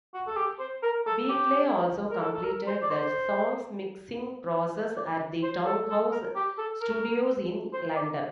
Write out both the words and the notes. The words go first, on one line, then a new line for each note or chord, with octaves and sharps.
Wheatley also completed the song's mixing process at the Townhouse Studios in London.
F#4
A4
G4
C5
A#4
A4
G4
A#4
A4
A4
A#4
C5
D5
C5
D5
C5
A4
A4
A#4
G4
A4
A#4
C5
D5